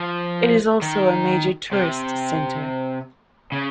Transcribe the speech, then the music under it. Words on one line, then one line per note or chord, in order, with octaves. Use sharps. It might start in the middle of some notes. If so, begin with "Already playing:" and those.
It is also a major tourist centre.
Already playing: F3
D#3
C3
C#3